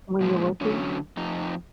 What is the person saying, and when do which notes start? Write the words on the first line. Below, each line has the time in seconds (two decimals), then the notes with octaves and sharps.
When you're working?
0.21 A#2 F3 G#3
0.61 D3 F#3 C#4
1.17 F2 D#4